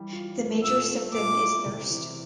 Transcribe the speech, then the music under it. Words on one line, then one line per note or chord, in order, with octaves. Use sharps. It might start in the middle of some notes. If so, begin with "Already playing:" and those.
The major symptom is thirst.
Already playing: E3 G3
F4
A#3
A#2 E6
A3
A#2 D6
E4
C3
E3